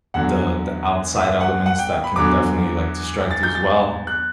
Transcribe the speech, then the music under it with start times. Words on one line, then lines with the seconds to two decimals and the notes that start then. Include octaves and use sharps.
the the outside elements that can definitely, like, distract you as well,
0.14 E2 D3 F#3 F#5
1.15 E5
1.41 F#5
1.66 F#5
1.79 G5
2.04 B5
2.16 E2 D3 F#3 D6
3.31 A6
3.43 G6
3.55 A6
4.07 F#6